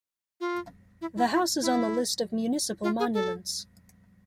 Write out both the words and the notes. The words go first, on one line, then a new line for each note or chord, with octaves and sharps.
The house is on the list of municipal monuments.
F4
E4
E4
E4
E4
F4
G#4
A4